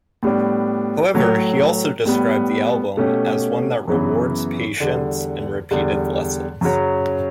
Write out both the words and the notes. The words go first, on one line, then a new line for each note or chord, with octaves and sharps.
However, he also described the album as one that rewards patience and repeated listens.
A2 G3 B3 D4
A2 F#3 A3
A2 G3 B3
B2 A3 C#4 G4
F#2 C#3 E3 B3
E2 D3 G3
E2 D3 G3
F#2 C#3 F#3